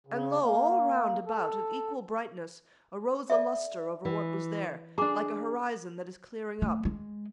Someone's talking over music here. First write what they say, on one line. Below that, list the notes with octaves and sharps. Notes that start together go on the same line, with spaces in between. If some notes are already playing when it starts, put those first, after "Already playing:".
And lo! all round about of equal brightness Arose a lustre over what was there, Like an horizon that is clearing up.
C#3
A#3
A4
A4 D5 E5
E3
D4 G#4 A#5 D6
A3
G#3